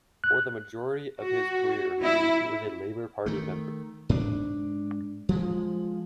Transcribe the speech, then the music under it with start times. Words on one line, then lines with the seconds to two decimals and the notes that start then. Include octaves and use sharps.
For the majority of his career he was a Labour Party member.
0.24 F#6
1.22 F#4
2.03 E4
3.26 D#3 A3
4.09 G#2 D4
5.29 F3 G#3